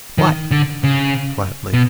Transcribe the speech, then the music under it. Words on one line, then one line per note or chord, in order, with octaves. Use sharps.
"What?" flatly.
D#3
D3
C#3
B2